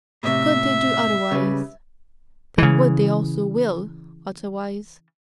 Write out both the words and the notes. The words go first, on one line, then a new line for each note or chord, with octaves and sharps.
COULD they do otherwise, then would they also WILL otherwise.
A2 C3 E5
C#3 G3 B4
C#3 E3